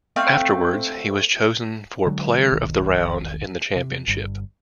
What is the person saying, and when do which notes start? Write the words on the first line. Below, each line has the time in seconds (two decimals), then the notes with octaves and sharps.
Afterwards, he was chosen for player of the round in the championship.
0.16 A3 C4 F5
2.07 D3 F#3 G#3
2.52 E1 B1 D#3
3.76 C3
4.08 G1 G2